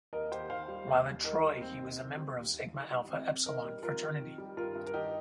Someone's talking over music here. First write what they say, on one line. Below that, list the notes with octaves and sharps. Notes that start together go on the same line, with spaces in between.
While at Troy, he was a member of Sigma Alpha Epsilon fraternity.
D#2 A#4 D#5
D#2 G4 C5
D#3 C5 F5
G3
D#2
D#2
D#3 A#4 D#5
G3
D#2 C4
D#2
D#3 C4
G3
D#2
D#2
D#3
G3
D#4
F2 C4
F2
D#3 A#4 D#5
G3
F2 F4 A#4
F2
D#3
G3
G2 F4 A#4
G2
A#4
D#3 D#4 G4